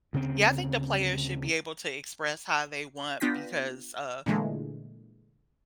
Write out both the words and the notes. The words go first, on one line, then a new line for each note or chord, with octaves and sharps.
Yeah, I think the players should be able to express how they want because, uh,
D2 C#3 A#3 C4
B3 D4 F4 G5 A#6 B6
A#2 D3 E3 G#3 A3